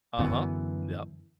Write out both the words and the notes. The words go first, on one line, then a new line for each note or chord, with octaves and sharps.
Uh-huh, yep.
F#2 D3 E3 B3